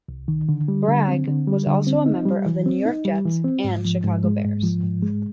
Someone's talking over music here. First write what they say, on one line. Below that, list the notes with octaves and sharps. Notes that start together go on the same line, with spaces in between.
Bragg was also a member of the New York Jets and Chicago Bears.
C2
D#3
D3
G3
D3
C4
D3
G3
D3
C4
D#4
G3
E3
C4
D#4
G3
E3
C4
G#2
F3
G#2
G#3
G#2
F3
G#2
G#3